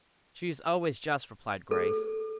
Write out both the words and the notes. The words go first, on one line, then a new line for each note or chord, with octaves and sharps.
"She is always just," replied Grace.
A4